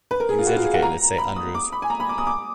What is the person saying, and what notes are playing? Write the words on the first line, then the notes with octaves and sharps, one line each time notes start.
He was educated at Saint Andrews.
B4
A#4
G#4
F4
F#4
F4
G#4
F#5
A#5
B5
D#6
D6
B5
G#5
A#5
B5
D6
D#6
D6